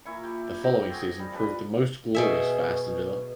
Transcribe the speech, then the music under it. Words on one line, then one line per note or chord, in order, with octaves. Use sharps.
The following season proved the most glorious for Aston Villa.
A#2 E4 C#6
G4
D#5 G5
C4 F#4 G#4
G3
F3 G3 D4 B4
B2 G#4 E5